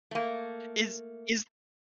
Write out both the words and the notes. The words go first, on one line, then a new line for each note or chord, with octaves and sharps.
Is is
A3 A#3